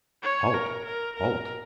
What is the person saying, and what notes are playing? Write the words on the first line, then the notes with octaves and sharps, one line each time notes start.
"Halt! halt!"
C#5
A#4
A#4
A#4